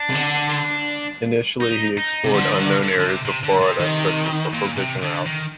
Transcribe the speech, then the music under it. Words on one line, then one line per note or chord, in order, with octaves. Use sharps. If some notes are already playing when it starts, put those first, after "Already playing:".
Initially he explored unknown areas of Florida, searching for provision routes.
Already playing: D4
C3
D3
D#4
D#4
C3
D3 F3
D#3
D3
D3
C3
C3
D3
C3
D#3
A#2
C3
D3
D#3